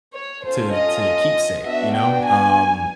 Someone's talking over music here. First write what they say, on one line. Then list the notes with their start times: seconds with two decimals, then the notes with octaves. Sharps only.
to to keepsake, you know? Um
0.15 C#5
0.45 C#4 F4 A4 C5
0.76 D#5
1.65 B3 D4 F#4 E5
1.96 G5
2.26 G#5